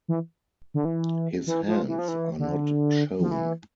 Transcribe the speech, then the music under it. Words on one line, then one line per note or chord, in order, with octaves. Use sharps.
His hands are not shown.
E3
D3
E3
E3
F3
E3
F3
E3
D3
F3
E3